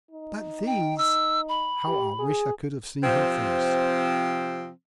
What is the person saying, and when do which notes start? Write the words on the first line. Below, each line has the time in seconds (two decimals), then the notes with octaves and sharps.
"But these--" How I wish I could have seen her face!
0.11 D#4
0.67 G5
0.98 E6
1.49 B5
1.87 G4
2.19 G#4
3.03 C3 F3 C4